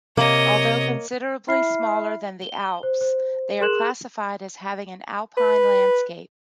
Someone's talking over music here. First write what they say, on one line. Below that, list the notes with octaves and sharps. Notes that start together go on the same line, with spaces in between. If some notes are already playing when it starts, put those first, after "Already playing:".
Although considerably smaller than the Alps, they are classified as having an alpine landscape.
C3 A#3 C#5 D#5
E4 E5 B5 F6 C7
G7
C5
C5
G#4 A#4 C6 F#6 E7 F#7
B4